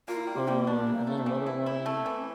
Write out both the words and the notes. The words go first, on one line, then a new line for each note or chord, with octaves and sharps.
um, and then another one
A#3 F4
E4
F4
G3
G4
G3 A#3
D4
E3
A3
D4
E3 C4
E4
E4
A3
E3